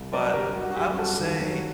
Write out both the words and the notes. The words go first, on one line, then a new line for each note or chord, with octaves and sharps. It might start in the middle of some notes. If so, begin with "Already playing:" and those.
But, I would say,
Already playing: C2
F#3 A#4 D5
G1 G4 A#4
G3 F#4
F#4
F#2 G4
G3 F#4 A4
D#2
F#3